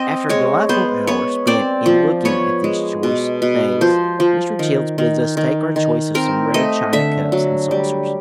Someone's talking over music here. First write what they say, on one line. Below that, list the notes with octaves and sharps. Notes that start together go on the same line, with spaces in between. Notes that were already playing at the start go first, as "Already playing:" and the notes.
After a delightful hour spent in looking at these choice things, Mr. Childs bids us take our choice of some rare china cups and saucers.
Already playing: C4 D#5
G#3 C#5
B3 C5
B3 C#5
C4 D5
F3
B3 C#5
G#3
B2
B2
F3 C5
F3
D#3
D#3
D#3
D#3
C4 A#4
A3 D#5
D3 E5
F#3
G3